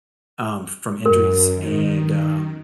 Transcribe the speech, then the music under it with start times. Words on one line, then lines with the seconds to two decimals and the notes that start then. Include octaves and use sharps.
um, from injuries and, um,
1.06 F#2 A#4
1.52 D#3